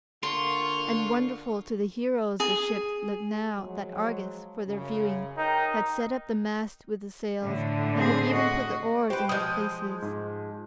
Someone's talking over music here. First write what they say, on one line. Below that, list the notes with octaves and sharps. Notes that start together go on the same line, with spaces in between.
And wonderful to the heroes the ship looked now that Argus, for their viewing, had set up the mast with the sails and had even put the oars in their places.
D3 A#3 F4 C6 C#6
G#4
F3 F#3 G#3
F#2 C#3
D#4 A#4 G5
A2 D3
C4 G#4
F#4 D#5
G4 B4 C5
F3 G#3 D#6 G6
G#2